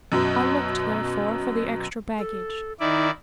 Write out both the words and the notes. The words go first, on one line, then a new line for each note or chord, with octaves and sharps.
I looked, therefore, for the extra baggage.
F#2 B2
A4
D#3 D#4 E4 D5